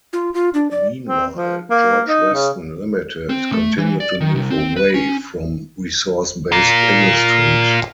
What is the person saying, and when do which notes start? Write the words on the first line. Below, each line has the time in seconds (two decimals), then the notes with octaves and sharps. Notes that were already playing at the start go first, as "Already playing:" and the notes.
Meanwhile, George Weston Limited continued to move away from resource-based industries.
0.13 F4
0.34 F4
0.54 D4
0.71 D5
1.05 C4
1.34 F3
1.71 A#3
2.08 D#4
2.34 C#3
3.29 C4
3.52 A3
3.77 E3
4.00 D5
4.20 D#3
4.35 C2
4.50 C4
4.76 B4
4.94 C#4
6.52 F4 A#4